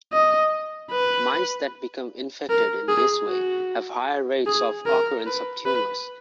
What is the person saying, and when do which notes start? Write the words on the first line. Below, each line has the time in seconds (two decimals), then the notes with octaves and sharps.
Mice that become infected in this way have higher rates of occurrence of tumors.
0.13 D#5
0.91 B4
2.49 A#4
2.88 G#4
3.28 F#4
4.46 G#4
4.86 A#4
5.26 B4
5.65 B4